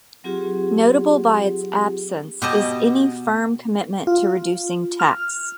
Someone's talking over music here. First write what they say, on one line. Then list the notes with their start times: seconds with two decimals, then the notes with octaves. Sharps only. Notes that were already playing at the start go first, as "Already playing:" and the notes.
Notable by its absence is any firm commitment to reducing tax.
0.24 F#3 C4 F4 G4 G#4
2.42 B2 G4 D#5 A5
4.07 F4
5.00 F6